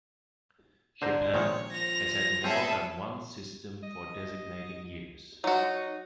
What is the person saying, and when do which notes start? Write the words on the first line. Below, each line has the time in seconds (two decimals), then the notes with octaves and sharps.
Japan has had more than one system for designating years.
1.02 D3 D4 C5 A#5
1.34 A#1 D#3 G#3 C#5
1.71 F3 A#6 F7
2.44 C4 C#4 G#4 A4 E5
3.83 D#5
5.44 F#3 D#4 F#4